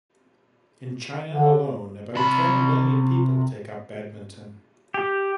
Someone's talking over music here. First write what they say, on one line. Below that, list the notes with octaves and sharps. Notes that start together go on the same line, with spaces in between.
In China alone about ten million people take up badminton.
D3
C3 B5
G4